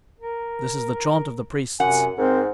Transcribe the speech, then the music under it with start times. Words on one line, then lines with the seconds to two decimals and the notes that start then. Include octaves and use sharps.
This is the chaunt of the Priests.
0.18 A#4
1.80 F#2 C3 F#5 G#5
2.18 G#2 C4 A#4